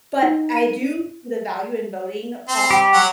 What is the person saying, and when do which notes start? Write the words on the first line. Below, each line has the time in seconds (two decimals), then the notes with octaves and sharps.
but I do the value in voting on,
0.23 D#4
0.56 D#7
2.48 C4 C6
2.71 G4
2.94 F#3 F#5